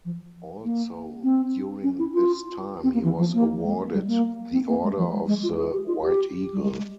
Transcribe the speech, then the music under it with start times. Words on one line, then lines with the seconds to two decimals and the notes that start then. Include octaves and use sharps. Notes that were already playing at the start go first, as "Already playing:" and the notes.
Also during this time he was awarded the Order of the White Eagle.
0.05 F3
0.64 A#3
1.23 C4
1.83 C#4
1.99 E4
2.14 F4
2.83 C4
2.94 A#3
3.03 E3
3.18 F3
3.34 A#3
3.64 G#3
3.94 G3
4.08 A#3
4.52 C4
4.69 A#3
4.83 G#3
4.97 F3
5.13 G#3
5.28 G#3
5.43 F4
5.57 G#4
5.73 G4
5.87 F4
6.02 G4
6.53 G3
6.63 G#3
6.77 G#3